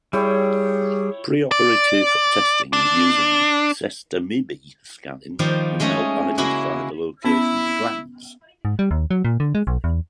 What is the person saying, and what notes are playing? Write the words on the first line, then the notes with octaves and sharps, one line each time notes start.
Preoperative testing using sestamibi scanning can help identify the location of glands.
G3 E4 G#4 C#5 G5
D5
D4
D#3 F3 G3 A#3 F4 C5
G#3 A3 C#4 D#4 G#4
C#3 G#3 A#3 E4 F#4
B3 C#4 E4
G#2
G3
D#2
F#3
A#2
D3
G#3
B1
E2